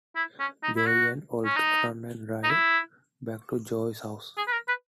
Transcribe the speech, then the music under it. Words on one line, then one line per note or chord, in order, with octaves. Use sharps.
Joey and Oleg run and drive back to Joey's house.
E4
C#4
D#4
E4
F#4
C#4
D#4
D#4
E4
G#4
B4
A#4
B4